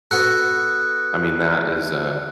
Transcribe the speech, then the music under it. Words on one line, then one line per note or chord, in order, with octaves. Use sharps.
I mean that is a
B3 F#4 A4 F#6